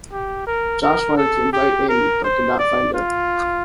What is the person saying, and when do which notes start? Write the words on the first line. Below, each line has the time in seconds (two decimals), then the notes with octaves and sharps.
Josh wanted to invite Amy, but could not find her.
0.12 G4
0.47 A#4
0.82 A#4
1.17 A4
1.53 G4
1.89 A#4
2.24 C5
2.59 D5
2.94 F4